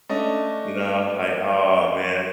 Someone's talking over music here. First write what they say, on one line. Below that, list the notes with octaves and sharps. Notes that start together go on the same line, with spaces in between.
you know, like, aw, man
A3 C#4 D4 D#5